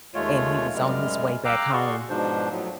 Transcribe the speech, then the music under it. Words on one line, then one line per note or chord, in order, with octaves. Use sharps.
And he was on his way back home.
D#2 G#3 A3 F4 C#5
F#2 C3 G3 G#3 F6
F5 G5 A#5 D6 E6 F#6
F#4 G#4 D5 C6 C#6
G#2 B2 F3 D4 C5
A2 F3 F#3